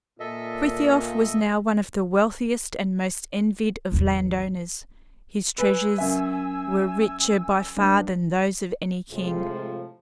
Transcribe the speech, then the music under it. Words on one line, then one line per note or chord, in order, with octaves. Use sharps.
Frithiof was now one of the wealthiest and most envied of land-owners. His treasures were richer by far than those of any king.
A#2 A4 D#5 E5
A1 E2
B4 G#5 E6
F#2 E5
G2
A2 C3 F3 G#3 F4